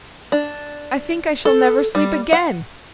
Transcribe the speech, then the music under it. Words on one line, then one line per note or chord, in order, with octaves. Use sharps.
I think I shall never sleep again.
D4
A4
G3
F#5